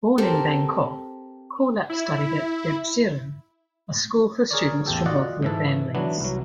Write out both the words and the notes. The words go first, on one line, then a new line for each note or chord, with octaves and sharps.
Born in Bangkok, Kulap studied at Debsirin, a school for students from wealthier families.
C4 G4 A4 A#4
E4
G#4 A#4 C#5 D5
A1 E2 G4 A4
F4 F#4 D5 D#5 F5 F#5
G#2 E3 A4
E3 F#3 B3 D4
C2 F#3